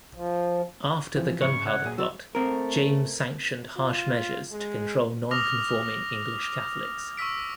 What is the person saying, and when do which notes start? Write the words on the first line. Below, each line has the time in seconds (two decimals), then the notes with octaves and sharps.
After the Gunpowder Plot, James sanctioned harsh measures to control non-conforming English Catholics.
0.14 F3
1.16 E3 F3 C4
1.42 G#2 C#3 C#6
1.66 D5 E5 F#5 G#6
1.84 A#2 F#3 G#4
1.98 F#3 F#4 D5 E6
2.35 A3 C4 A#4
3.77 F4
4.52 G#3
5.31 D6 D#6 F6 A#6 F7
7.17 C#6 D6 E6 B6 D7